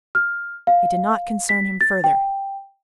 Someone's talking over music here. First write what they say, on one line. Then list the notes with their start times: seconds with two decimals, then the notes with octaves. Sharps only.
It did not concern him further.
0.15 F6
0.67 F5
1.49 B6
1.81 A6
2.04 G5